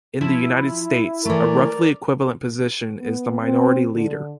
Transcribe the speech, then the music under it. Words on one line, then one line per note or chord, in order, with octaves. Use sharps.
In the United States, a roughly equivalent position is the minority leader.
F3 E4
E3 A3 A#4 D5
B3
C4
D3